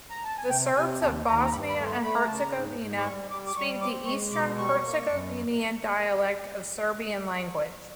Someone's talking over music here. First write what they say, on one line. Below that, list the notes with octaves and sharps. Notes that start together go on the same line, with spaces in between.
The Serbs of Bosnia and Herzegovina speak the Eastern Herzegovinian dialect of Serbian language.
A#5
A5
G#5
C3 G5
C3 G#5
D#2 A5
D#2 A#5
A#5
G2 B5
B5
A3
C6
A3 B5
A#5
C#3 A5
A#5
G#2
G#2
D6
G3 C#6
G3 D6
D6
G3 C#6
C4 D6
G#3 C#6
B2 D6
G3 C#6
A#3
F#2